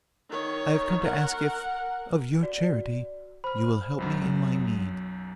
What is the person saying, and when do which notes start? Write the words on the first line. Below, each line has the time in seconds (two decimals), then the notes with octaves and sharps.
I have come to ask if, of your charity, you will help me in my need.'
0.30 D#3 C#5
1.03 A#4 F#5
2.43 F#4 D5
3.44 C5 B5 F6
3.98 B1 F#2 F#3